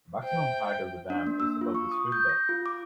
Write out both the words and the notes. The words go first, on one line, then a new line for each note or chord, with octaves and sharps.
Maximum height of the dam is above the stream bed.
C5 E5 G5
D4
A#3
E6
F4
C#6
D#6
G6
A#6
F4
D6